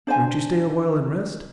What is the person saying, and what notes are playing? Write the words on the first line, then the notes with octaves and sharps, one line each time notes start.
"Won't you stay awhile and rest?"
D4 C5 D5 G#5